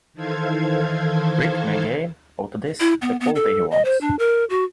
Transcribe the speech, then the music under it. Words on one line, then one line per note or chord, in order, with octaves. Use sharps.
Rick may gain, out of this, the quality he wants.
D#3 E3 A4 C5 F5 G#6
E4
B3
B3
A4
D#5
C5
D4
A#4
F#4